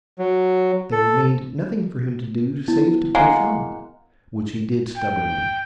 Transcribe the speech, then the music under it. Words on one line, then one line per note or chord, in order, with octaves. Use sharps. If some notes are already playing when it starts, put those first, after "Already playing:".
There remained nothing for him to do save to push on, which he did stubbornly.
F#3
A4
B3 E4
G#3 A#3 F5 F#5
G5